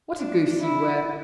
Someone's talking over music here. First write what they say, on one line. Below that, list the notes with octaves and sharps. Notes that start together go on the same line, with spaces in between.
"What a goose you were."
D4
E4